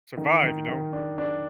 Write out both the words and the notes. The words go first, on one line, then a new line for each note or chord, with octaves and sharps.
survive, you know?
D#3
D#3
D#3
D4
D4